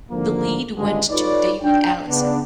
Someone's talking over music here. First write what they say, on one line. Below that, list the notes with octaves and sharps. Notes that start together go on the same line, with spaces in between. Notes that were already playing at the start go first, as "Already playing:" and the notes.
The lead went to Davey Allison.
G#1 D3 F3 A#3
G#1 C#2 G2 D3 G#3
D#4 F4 A4 B4 C#5 D5
D4 G5
C#3 B3 D4